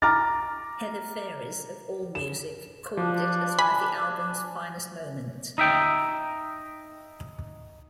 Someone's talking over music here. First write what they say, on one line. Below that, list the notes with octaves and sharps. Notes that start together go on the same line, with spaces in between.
Heather Phares of Allmusic called it as one of the album's finest moments.
A#5 D6 F6 A6
E7
F3 D4
G#5 B5
D#4 E5 G5